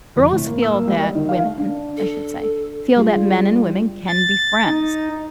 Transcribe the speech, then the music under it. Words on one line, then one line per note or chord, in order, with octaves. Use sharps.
girls feel that women, I should say, feel that men and women can be friends.
F2
A2
A#3
E6
A#3
G3
D#5
D#3
F5
D4
A4
G3 F4 G#4
A6
D#4